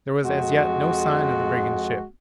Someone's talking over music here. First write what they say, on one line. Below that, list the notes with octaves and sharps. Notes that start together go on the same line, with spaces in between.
There was as yet no sign of the brigand ship.
F2 G#3 F#4